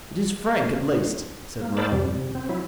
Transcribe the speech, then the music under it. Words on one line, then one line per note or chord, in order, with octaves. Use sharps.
"It is frank, at least," said Morrel.
A#3
A#4 C5 D5 A5 B5
F2 C3 G3
C3
C4
F#3 E4